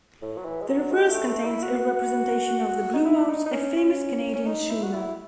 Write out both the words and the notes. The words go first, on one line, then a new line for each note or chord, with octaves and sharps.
The reverse contains a representation of the "Bluenose", a famous Canadian schooner.
A2
F#3
E3
G#3
F#3
G#3
A3
A3
E4
F#4
D#4
E4
D#4
D#4
C#4
C#4
C#4
D#4
E4
F#4
E4